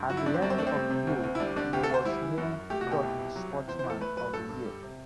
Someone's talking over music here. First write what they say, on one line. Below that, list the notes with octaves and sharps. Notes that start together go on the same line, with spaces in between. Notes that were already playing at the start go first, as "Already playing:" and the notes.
At the end of the year he was named Dutch Sportsman of the year.
Already playing: G2
F#3 F#4
E4
D3 D4
C4
F#2 D4
C4
A3 D4
C4
G3
C3
D2
D2
E4
G3 D4
D3 D4
D2 G4
A4
D2 C5
G3 E4
E3
F#2
F#2
A3 G4
F#4
B2 G4
C2
C2
F#3
C3
E2 C5
C5
E2
A4
A3 B4
F#3 B4
G2 A4
G2
G3
C3